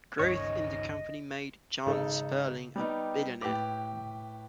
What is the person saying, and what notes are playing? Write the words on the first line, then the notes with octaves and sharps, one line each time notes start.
Growth in the company made John Sperling a billionaire.
G1 C#2 G2 D#3 C#4 C#5 D#5
G#1 C#3 D#4 A4
G3 B3 D#4 G4
A2 G4 B4 D6